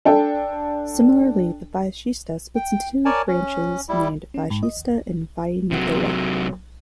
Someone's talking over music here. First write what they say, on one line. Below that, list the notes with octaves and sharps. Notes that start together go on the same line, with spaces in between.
Similarly the Vasishta splits into two branches named Vasishta and Vainateya.
D4 A4 G5
G5
A#4 C#5 D5 G#5 A5
C#4
G3 E4
C#4
G#2
D#5
D#2
C3 F#3